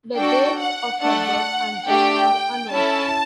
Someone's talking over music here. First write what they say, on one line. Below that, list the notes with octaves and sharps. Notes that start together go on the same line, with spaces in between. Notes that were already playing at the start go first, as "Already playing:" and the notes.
The dates of her birth and death are unknown.
D4 F#4 A4 G5
F#5
A3 D4 A4 F#5
A3 D4 G4 G5
C#4 E4 A4 A5